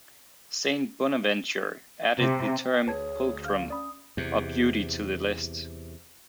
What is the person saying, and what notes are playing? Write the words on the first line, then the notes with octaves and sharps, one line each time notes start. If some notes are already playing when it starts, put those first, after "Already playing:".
Saint Bonaventure added the term "pulchrum" or beauty to the list.
C3
G5
D2 G#4 B4 C#5 A5 G#6
F5 F6 G6
C#4 D5 B5 D#6
E2 C3